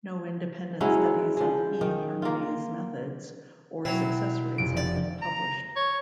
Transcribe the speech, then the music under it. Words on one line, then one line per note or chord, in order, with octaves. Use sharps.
No independent studies of eHarmony's methods or success rates have been published.
F#3 G#3 C#4 E4
F3 G#3
D#3
A#3 F4
B2 F#3 C4 E4
F1 D7
F3 D5
A#5
C#5